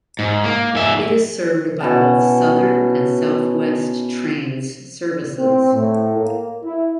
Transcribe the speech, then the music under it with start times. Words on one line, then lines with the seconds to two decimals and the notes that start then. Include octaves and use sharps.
It is served by both Southern and South West Trains services.
0.19 G#2
0.44 A#3
0.75 G#2 E5
1.80 B2 C#4 E4 A5
5.39 C4
5.74 A2
6.18 A#3
6.63 E4